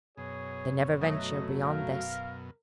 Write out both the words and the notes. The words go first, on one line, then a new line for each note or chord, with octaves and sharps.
They never venture beyond this.
F#2 B2 G#4 C#5
F#3 A3 D#5
A#4 F5